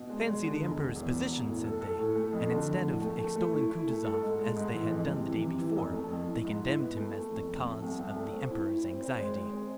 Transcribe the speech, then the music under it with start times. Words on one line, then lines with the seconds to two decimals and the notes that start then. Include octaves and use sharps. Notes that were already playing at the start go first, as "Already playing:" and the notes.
"Fancy the Emperor's position!" said they, and instead of extolling Kutuzov as they had done the day before, they condemned him as the cause of the Emperor's anxiety.
Already playing: B2
0.10 G#3
0.27 G#3
0.44 D3
0.62 E1
0.78 E1
0.96 E2
1.13 E1
1.30 E1
1.47 A2
1.64 A4
1.81 A4
1.99 A2
2.16 A3
2.33 F2
2.50 D3
2.67 F2
2.85 A2
3.01 A3
3.18 A3
3.36 A3
3.53 E4
3.70 E4
3.87 A3
4.05 A4
4.22 G#2
4.39 G#3
4.56 G#2
4.73 E3
4.90 F2
5.07 C3
5.25 E3
5.41 C3
5.59 E3
5.76 F1
5.93 A3
6.10 F2
6.27 E4
6.45 G#2
6.62 E4
6.79 B3
6.96 A3
7.13 A3
7.30 F1
7.48 F1
7.64 A3
7.82 C2
7.99 C2
8.16 A3
8.33 C4
8.50 E4
8.67 E4
8.84 C4
9.02 C4
9.19 G#3
9.36 G#3
9.53 C4